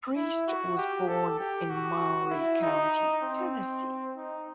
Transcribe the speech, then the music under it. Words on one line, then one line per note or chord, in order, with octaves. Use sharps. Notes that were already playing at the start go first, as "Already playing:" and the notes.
Priest was born in Maury County, Tennessee.
E4
F#4
G4
A4
G4
F#4
E4
D#4
C4
D#4